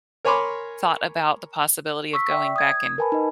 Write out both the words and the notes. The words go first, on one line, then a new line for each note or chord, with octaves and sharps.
thought about the possibility of going back and
A#4 C#5 G#5 B5 C6 D6
C#6 E6 B6
D5 E5 G5
D#6 G#6
A#4 B4 G#5 A5 B5
D#4 D#5